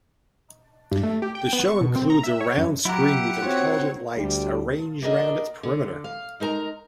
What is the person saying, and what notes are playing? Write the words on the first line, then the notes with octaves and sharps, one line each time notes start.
The show includes a round screen with intelligent lights arranged around its perimeter.
G2
A3
G4
G5
B3
C#6
B2
C4
A#5
E5
C#5
F#2
F#3 E4 G4 F#5 A#5
C4 F4 F#4 C#5
D2 G3
A#3 D4 F#4 A#4 D#5
D3
F5
G#3 D#4 A#4 A5 A#5